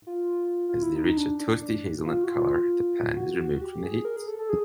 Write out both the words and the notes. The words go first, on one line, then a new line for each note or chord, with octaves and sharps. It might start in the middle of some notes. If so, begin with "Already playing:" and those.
As they reach a toasty hazelnut color, the pan is removed from the heat.
F4
F4
E4
D#4
D4
D4
D4
F4
F#4
F4
F#4
F#4
G4
G#4
A#4
G#4
A4
A4
G#4